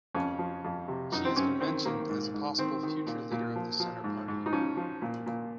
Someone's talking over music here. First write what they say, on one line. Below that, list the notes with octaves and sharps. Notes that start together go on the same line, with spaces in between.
She has been mentioned as a possible future leader of the Centre Party.
F2 C#4
F3
F2
C3
F#2 D#4
C4
F#2 C#4
D#3 C4
D#3 A#3
G#2
G#2
D#3 C4
D#3
A#2
A#2
F3
F3
G#2
G#2
D#4
F3 C#4
F3
A#2
A#2